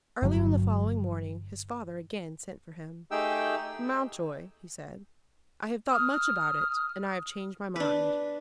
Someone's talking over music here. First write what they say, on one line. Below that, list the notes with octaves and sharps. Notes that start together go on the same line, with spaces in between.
Early on the following morning his father again sent for him. "Mountjoy," he said, "I have thought much about it, and I have changed my mind."
G1 F#3
A3 D#4 G4 G#4 G5 E6
D#6 F6
D4 B4